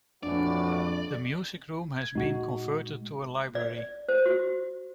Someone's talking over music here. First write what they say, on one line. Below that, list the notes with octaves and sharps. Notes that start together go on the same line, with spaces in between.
The music room has been converted to a library.
A#1 F2 A2 E3 D4 F#4 D5
G#6
A#2 G#3 D#4 F#4
D5
C5
F#4